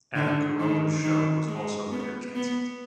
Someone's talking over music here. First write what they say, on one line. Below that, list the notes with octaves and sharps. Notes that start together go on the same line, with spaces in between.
Adam Carolla's show was also later canceled.
D3
D#3
D#3
G#3
B3
B3